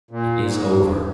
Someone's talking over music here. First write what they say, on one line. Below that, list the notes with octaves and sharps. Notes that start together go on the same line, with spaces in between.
It is over.
A#2
G#2
G2